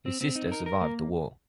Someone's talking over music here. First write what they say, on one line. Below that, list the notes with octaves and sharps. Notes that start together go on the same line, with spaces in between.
His sister survived the war.
C4
C4
D#4
A#4
A#4
A#3